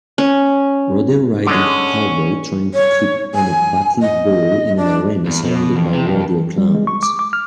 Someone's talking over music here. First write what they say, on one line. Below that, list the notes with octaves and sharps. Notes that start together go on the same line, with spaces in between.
Rodeo riding cowboy trying to keep on a bucking bull in an arena surrounded by rodeo clowns.
C#4
D3 G#3 C#4 C#6
C#5
G#5
D#5
D4
E2
B2
F2
C3
F2
G3
G#3
C#6
D6
D6
F6